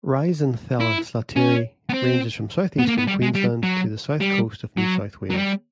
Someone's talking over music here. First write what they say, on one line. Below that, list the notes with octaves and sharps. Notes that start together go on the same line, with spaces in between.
"Rhizanthella slateri" ranges from southeastern Queensland to the south coast of New South Wales.
E4
C#4
B3
C4
B3
A#3
B3
G3
G#3
G3
F#3
G3
F#3
F#3
G3